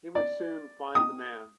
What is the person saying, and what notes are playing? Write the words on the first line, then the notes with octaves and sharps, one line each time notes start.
He would soon find the man.
D5
D#6